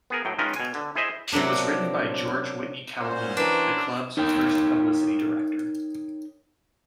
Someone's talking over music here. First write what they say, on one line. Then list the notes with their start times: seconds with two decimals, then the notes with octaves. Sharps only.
It was written by George Whitney Calhoun, the club's first publicity director.
0.10 B3 G#4 A#4
0.25 A2 F#3 G5
0.39 D#3 G#3 C#4 F4 A#4 B4
0.56 B2 G#5
0.75 D3
0.95 E4 G#4 C5 D#5 E5
1.32 C3 F#3 A#3 D4
3.00 A#2 C#4 F#4 C5
3.37 E3 D4 A#4 B4
4.17 D#4 A#4 C#5 G5